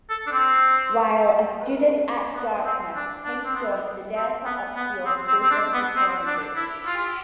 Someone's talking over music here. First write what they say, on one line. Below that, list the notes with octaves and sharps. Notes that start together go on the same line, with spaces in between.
While a student at Dartmouth, King joined the Delta Upsilon social fraternity.
A4
D4
C4
B3
C4
D4
D4
C4
B3
C4
B3
B3
C4
C4
C4
D4
B3
C4
D4
E4
F4